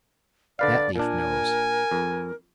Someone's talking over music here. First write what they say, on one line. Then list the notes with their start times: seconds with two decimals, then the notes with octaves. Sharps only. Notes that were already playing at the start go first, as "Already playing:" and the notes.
That leaf knows.
0.59 D3 B4 D5 F5
0.96 A#2 D4 A#4 G#5
1.91 F2